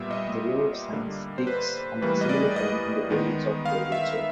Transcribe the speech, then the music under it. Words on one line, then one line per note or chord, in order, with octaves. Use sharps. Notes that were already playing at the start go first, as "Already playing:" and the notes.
The law of sines takes on a similar form in the presence of curvature.
Already playing: A#2 G3 B3 E5
D#5
D3 G3 A#3
C5
B4
A2 E3 G3 A#3 B4
D#5
D5
D#5
D#3 G#3 B3
F5
E5